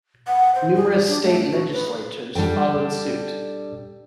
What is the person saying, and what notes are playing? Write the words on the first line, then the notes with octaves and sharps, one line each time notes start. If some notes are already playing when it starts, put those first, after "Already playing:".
Numerous state legislatures followed suit.
F#5
C5
G#4
D5
D4
A3
F#4
B4
G3 D4 A4 G5